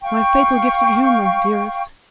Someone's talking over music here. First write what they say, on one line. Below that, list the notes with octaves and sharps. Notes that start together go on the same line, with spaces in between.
"My fatal gift of humour, dearest."
F5 G5 C#6